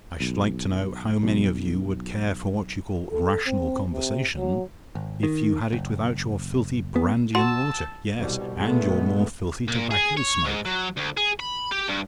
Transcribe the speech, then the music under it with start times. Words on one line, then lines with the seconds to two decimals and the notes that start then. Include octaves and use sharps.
I should like to know how many of you would care for what you call rational conversation, if you had it without your filthy brandy-and- water; yes, and your more filthy tobacco-smoke.
0.20 B1
1.23 B1
3.11 A4
3.46 C4
3.93 C3
4.37 F#3
4.95 G#1
5.23 D#3
5.73 F#1
6.96 B3
7.35 F#4 A5 C6 E6
8.18 C2 B2 G3
8.57 A#2 G#3 A3 B3
9.68 A#2
9.91 G#4
10.17 C#5
10.45 G#2
10.65 F#3
10.97 D2
11.17 G#4
11.40 B5
11.71 G4
11.88 G2